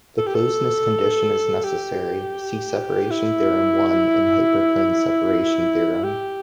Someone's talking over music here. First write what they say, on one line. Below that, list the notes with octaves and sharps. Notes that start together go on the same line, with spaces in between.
The closedness condition is necessary, see Separation theorem I in Hyperplane separation theorem.
A4
G4
A4
G4
E4
G4